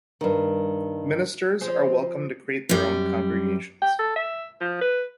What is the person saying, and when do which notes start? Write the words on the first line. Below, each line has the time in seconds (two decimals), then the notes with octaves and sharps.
Ministers are welcome to create their own congregations.
0.21 G2 D#3
1.61 F3 C4 G#4
2.69 F#2 G3
3.82 G5
3.99 A4
4.16 E5
4.61 F3
4.81 B4